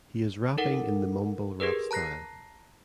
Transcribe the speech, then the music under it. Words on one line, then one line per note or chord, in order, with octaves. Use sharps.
He is rapping in the mumble rap style.
D#4 A4 A#4 F#5
G4 G#4 A#4 B4
A5 A#5 F#6 A#6 C7